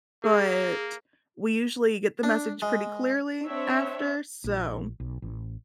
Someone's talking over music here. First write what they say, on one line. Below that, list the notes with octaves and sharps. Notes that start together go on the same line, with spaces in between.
but we usually get the message pretty clearly after, so
A#3 G#4
D4
G#3
C4 D4 C#5 E5
A#1
B1
A1